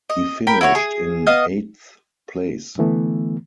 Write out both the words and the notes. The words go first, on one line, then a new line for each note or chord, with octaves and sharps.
He finished in eighth place.
D#5
A#4 G5 B5
E4 F#4 C5 C#5
G#4
B3 D#5 F5
D3 E3 A3 B3